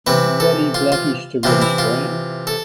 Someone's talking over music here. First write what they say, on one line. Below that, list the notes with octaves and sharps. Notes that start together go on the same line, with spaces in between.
Body blackish to reddish brown.
C3 E3 B4
A4
F4
F4
C3 E3 F4
E4
F4
A4